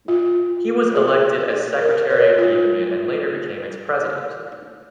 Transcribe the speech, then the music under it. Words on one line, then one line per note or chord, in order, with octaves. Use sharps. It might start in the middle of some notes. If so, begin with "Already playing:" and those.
He was elected as secretary of the union and later became its President.
F4
G#4
A#4
C#5
F4